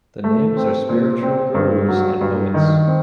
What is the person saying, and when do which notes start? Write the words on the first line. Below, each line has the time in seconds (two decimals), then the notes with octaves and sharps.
The names are spiritual gurus and poets.
0.24 A3
0.57 C4
0.89 A#2
1.23 C4
1.55 G2
1.88 F#3
2.21 G2
2.54 D#3
2.87 C4